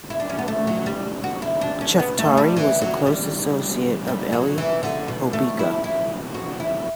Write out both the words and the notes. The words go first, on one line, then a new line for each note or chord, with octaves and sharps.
Chaftari was a close associate of Elie Hobeika.
E4
D4
C#4
B3
A3
F#3
G3
F#4
E4
D4
C#4
B3
A3
G3
E3
F#3
G3
G3
F#3
E3
D3
B2
A3
E4
E4
F#4
E4